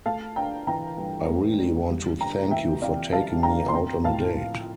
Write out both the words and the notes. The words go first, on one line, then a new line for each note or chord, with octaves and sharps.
I really want to thank you for taking me out on a date.
A3 F5 A5
D4 G5 A#5
E3 G5 A#5
G2
A3
D4
G3
D4 G5 A#5
E3 E5 G5
C3 D5 F5
G3 F5 A5
D4 G5 A#5
C6
C4 G5 A#5
A2 F5 A5
F3